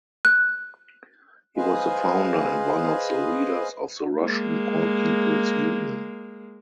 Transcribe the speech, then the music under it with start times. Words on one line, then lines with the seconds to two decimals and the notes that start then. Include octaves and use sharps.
He was the founder and one of the leaders of the Russian All-People's Union.
0.25 F#6
1.57 G#4 B4 C5 D#5 F5 G#5
4.21 G#3 A#3